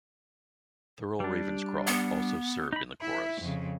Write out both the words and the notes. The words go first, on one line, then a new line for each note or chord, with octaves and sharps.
Thurl Ravenscroft also served in the chorus.
G3 D4
B3
D#4 B5
E4 E5
F2 C#3